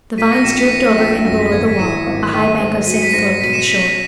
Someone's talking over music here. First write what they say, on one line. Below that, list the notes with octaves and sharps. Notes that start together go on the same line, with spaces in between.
The vines drooped over and below the wall a high bank of sand sloped to the shore.
A#2 B6 D#7
A#6 C#7
A#1 C#7 E7
B6 D#7
A#3 A#6 C#7
A#1 B6
F#2 A#6
B6
G#1 G#6
B6 D#7
E3 C#7 E7
G#1
D#3 B6 D#7
G#2
F#3 D#7
C#7
B6 D#7
G#2 A#6 C#7
B2 B6 D#7
C#7 E7
C#4 B6 D#7
B6